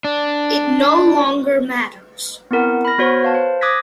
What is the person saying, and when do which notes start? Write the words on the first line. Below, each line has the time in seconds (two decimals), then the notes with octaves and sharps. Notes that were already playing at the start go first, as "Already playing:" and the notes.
It no longer matters.
0.05 D4
2.51 B3 C4 E4 A#4 F#5
2.85 B5 F6 A#6
2.98 B3 F#4 C5 C#5
3.23 B4 F5 A5
3.34 C5
3.61 D6 D#6 F#6 G#6 A#6 B6